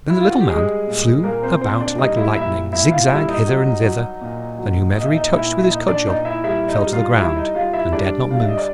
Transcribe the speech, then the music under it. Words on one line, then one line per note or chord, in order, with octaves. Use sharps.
Then the Little Man flew about like lightning, zig-zag, hither and thither, and whomever he touched with his cudgel fell to the ground, and dared not move.
E4
F4
F#4
G4
G3 G#3 G#4
A#2
A#2 A#3 A#4
C4 C5
A#2 C4 C5
D4 D5
G3 D#4 D#5
E4 E5
A#2 E4 E5
A#2 E4 E5
F4 F5
G3 E4 E5
D#4 D#5
F#3
F#3
A#2
F#3
A#2 D#5
E5
D#4 D#5
A#2 E4 E5
E5
A#2 D#4 D#5
D4 D5
A#2 D#4 D#5
E4 E5
G3 E4 E5
D#4 D#5
G3
F4 F5
G3 E4 E5
D#4 D#5
G3 F4 F5
E4 E5
G3 D4 D5
G3 F5
E5
D#5
D5